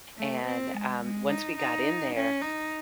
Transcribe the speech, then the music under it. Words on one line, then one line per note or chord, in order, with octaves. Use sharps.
and, um, once we got in there,
A3
C4
G#3
G#3
D#4
D#4
C#4
D#4